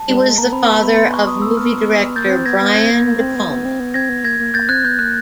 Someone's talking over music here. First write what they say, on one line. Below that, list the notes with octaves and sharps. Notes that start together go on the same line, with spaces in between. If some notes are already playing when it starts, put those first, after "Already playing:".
He was the father of movie director Brian De Palma.
Already playing: A5
G3
G#3
A#3 A#5
C4 B5
B3
B3 B5
C6
C#6
D#6
E6
F6
A#3 G6 A6
B3
C4
B3 G#6 A#6
B3
C4 G#6 A#6
A#3
A#3
C4
B3
B3
C4
B3
C4 G#6 A#6
B3
A#3 G#6 A#6
A#3
A#3 G6 A6
C4 F#6 G#6
B3 G6
A#3 F#6